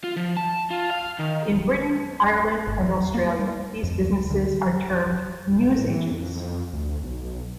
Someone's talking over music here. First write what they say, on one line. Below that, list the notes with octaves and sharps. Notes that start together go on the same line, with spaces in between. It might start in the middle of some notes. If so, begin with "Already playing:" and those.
In Britain, Ireland and Australia, these businesses are termed "newsagents".
F4
F3
A5
F4
F5
D#3
G1
E2
A#3
G3
F2
D2
D2
A2
E3
F2
D2
B1